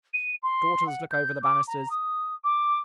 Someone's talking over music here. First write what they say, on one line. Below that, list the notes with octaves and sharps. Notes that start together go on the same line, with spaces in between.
Daughters look over the banisters.
D#7
C6
F#5
G6
D6
A#5
D#6
D6